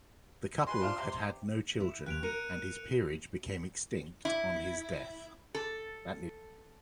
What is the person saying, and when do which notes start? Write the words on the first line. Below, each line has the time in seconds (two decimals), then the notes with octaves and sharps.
The couple had had no children, and his peerage became extinct on his death.
0.67 G#3 G#4 B4 C6
0.81 C3 D4 F4
0.98 C3 G4
1.80 E4
2.06 D#2 F#6 D7 F7
2.23 A#4 F#6 C#7 D#7
4.25 E4
5.55 A4